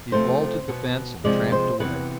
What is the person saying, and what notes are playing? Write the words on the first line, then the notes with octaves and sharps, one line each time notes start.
He vaulted the fence and tramped away.
C3 F3 A3 C5
B2 B3
C3 F3 G#3 D5
C5
C3 E3 B3 B4